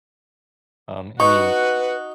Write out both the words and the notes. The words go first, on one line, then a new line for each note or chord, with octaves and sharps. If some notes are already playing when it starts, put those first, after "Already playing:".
um, I mean,
D#4 F#4 B4 F#5 C#6